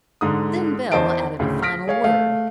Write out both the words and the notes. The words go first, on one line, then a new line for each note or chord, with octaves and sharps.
Then Belle added a final word.
G#2 D3 D#6
E2 C5 D#5 A5 D7
D2 A2 C#3
F6 A#6 B6 D7
G#4 C#5 F5
A3 F5